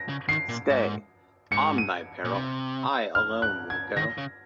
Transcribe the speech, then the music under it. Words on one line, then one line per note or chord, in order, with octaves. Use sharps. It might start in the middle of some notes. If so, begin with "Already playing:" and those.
Stay, on thy peril: I alone will go.
Already playing: A#6
C#3
D#3 C7
A#2
G#2
G#2 C#7
D#7
A#2
C3
F6
F#6
G#6
D#3 A#6
C#3